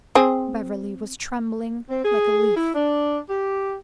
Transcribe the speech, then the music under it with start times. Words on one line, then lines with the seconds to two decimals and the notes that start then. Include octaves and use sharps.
Beverly was trembling like a leaf.
0.15 C4 G#4
1.89 C4
2.05 G#4
2.56 E4
2.75 D4
3.28 G4